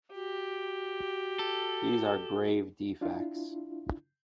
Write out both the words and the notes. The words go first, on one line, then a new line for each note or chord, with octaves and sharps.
These are grave defects.
F#4 G4
A4
D4 E4 F4